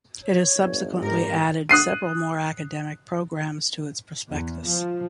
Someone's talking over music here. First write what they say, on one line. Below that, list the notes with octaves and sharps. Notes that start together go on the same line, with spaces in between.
It has subsequently added several more academic programmes to its prospectus.
C#5
G1
G#2 G4 A#4
D#6 F#6 C7 D#7
E2
F3